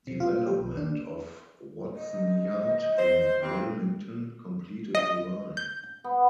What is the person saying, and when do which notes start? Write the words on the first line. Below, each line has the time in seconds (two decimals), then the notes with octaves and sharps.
Development of Watson Yard in Wilmington completed the line.
0.07 C3
0.20 F4
0.46 G4
0.60 B1
0.77 D4
1.94 D#5
2.98 C5
3.42 G2 C4
4.95 D#5
5.57 G6
6.04 B3